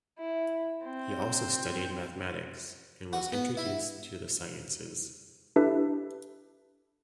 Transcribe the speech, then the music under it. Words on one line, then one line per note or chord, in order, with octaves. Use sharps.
He also studied mathematics and was introduced to the sciences.
E4
C4
F#4
B3
E4
D4 E4 G4 A4 B4 E5